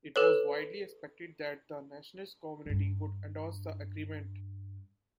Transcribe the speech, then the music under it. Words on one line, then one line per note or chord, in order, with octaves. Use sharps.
It was widely expected that the nationalist community would endorse the agreement.
A4 B4 C#5
G2 D4